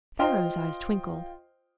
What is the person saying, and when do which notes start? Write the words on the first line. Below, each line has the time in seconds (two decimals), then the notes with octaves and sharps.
Pharaoh's eyes twinkled.
0.19 F4 C5 D#5 G5 C6 F6